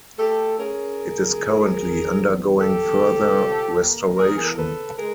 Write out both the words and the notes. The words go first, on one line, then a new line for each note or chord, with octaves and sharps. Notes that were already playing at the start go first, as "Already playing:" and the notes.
It is currently undergoing further restoration.
A3 G4 A4
C#4 G#4 A#4
C#3
F3
D#3
E2
E2 G4 A4
C3
F3
A#3
E2 G#4 A#4
G#4
A4
A#4
C#3 A4 B4
G#3 G#4 A#4